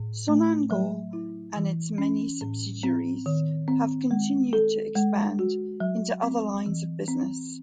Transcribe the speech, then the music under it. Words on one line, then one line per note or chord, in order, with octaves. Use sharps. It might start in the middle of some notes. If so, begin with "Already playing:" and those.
Sonangol and its many subsidiaries have continued to expand into other lines of business.
Already playing: A2
A3
F#3
E4
E3
C#4
A2
C4
D#3
C4
G#3
A4
G#3
F#4
F#3
C4
E3
C4